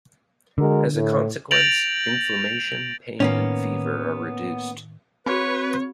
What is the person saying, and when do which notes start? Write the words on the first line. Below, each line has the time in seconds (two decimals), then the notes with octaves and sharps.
As a consequence, inflammation, pain and fever are reduced.
0.58 D3 G#3 F#4 A#4
0.93 A2
1.51 G6 A6 A#6 D7 F7 F#7
3.20 A2 D#3 A#3 B3 C#4
5.26 C4 F#4 G#4 B4 C#5 B5